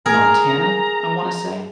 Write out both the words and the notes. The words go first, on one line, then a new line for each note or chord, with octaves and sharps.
Montana, I wanna say,
G#4 A#4 A#5